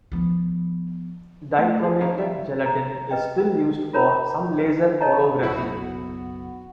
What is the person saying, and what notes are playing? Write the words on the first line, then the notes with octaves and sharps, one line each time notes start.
Dichromated gelatine is still used for some laser holography.
F3 B3
A3
G#4
F2 D#3 E4 C#5 F5 A#5
E5
A#5
B4 D#5 G5
F4 A#4 C#5 A#5 B5
B4
A4 C#5 D#5 A5 A#5
F#1 B1 B3 E4 F#4